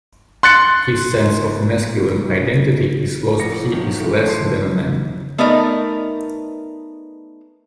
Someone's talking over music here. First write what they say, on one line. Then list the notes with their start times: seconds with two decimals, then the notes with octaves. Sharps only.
His sense of masculine identity is lost-he is less than a man.
0.43 C6 F#6 A6 C#7
3.40 F1 A#6 C#7
3.72 D#3 F3 F#3
4.00 E3 A3
4.26 A5 C6 C7
5.38 A3 B3 D#4 A#4 D5 D#5